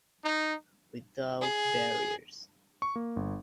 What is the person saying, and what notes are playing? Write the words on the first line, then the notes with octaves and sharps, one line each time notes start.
Without barriers.
D#4
G#4
C#6
A#3
G1